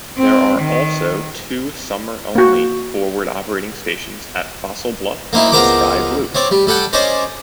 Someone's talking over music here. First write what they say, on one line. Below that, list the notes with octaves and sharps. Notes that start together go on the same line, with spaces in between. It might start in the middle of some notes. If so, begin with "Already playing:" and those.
There are also two summer-only forward operating stations at Fossil Bluff and Sky Blu.
C4
D#3
A#3 F#4
A#3 C4 D#4 E4
C#2 B3 A#4 C5 A#5 D6
C4 C#5 D5
G3
G3 A4 F#5 G5
C#4 C5 D5 D#5